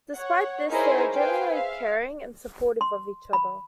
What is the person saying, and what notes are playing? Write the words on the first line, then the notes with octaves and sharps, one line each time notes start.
Despite this, they are generally caring and supportive of each other.
C#5 F#5
D#4 E4 G#4 A#4 C5 C#5
G#4 B4 C5 F5 G5
E5 F5
C6
B5